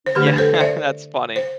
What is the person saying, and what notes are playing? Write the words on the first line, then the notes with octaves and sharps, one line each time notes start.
Yeah. That's funny.
C5
D3 A3 D4 G4 B4
B4
A4 C5
D5
C5 E5
C5